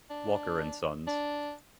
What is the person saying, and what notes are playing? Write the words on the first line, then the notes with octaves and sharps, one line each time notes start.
Walker and Sons.
D4
D4